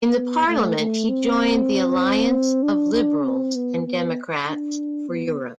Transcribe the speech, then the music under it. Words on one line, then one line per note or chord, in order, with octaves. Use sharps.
In the parliament he joined the Alliance of Liberals and Democrats for Europe.
B3
A3
A3
C4
D4
D4
C4
B3
B3
D4
B3